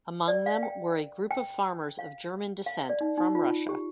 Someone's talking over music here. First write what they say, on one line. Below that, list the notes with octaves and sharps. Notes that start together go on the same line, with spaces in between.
Among them were a group of farmers of German descent from Russia.
D5
F5
G5
G5
F5
F5
D#5
D5
D#4
D#4
F4
G4